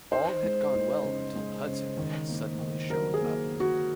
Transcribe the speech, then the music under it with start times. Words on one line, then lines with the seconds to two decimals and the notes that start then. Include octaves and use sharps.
All had gone well until Hudson had suddenly shown up.
0.12 D#4 C5
0.43 G#3
0.74 D#4
1.04 C#3
1.35 G#3
1.67 C#3
1.97 D#3
2.29 A#3
2.59 D#3
2.90 F#3 A#4
3.14 G#4
3.22 A#3
3.52 A#3
3.60 F#4